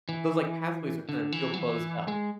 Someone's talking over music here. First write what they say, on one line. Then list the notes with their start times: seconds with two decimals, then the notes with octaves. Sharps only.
Those, like, pathways are kinda feel closed up.
0.09 E3
1.09 D3
1.32 E3
1.54 F#3
1.58 E3
2.08 G#3